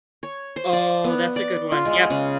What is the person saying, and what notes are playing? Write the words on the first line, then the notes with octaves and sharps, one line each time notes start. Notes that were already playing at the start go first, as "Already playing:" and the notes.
Oh, that's a good one. Yep.
C#5
C5
D5
B3
D5
F4
G#3
C#3